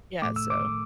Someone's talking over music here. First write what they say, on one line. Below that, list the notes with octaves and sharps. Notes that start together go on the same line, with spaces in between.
Yeah. So
A2 A3 D6
E6
D6